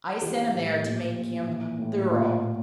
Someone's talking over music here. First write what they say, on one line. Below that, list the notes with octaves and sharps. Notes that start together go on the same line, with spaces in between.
I sent him there to make him THOROUGH.
E3 G4
A2
A#2
A#2
E3
A2
A#2 F4
A#2